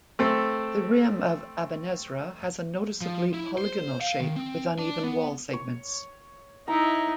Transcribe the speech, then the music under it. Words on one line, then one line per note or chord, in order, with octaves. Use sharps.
The rim of Abenezra has a noticeably polygonal shape, with uneven wall segments.
A3 C4 A4
F3
E4
C5
F5
D#3
C4
D4
B3
C#5
D#4 E4 A#5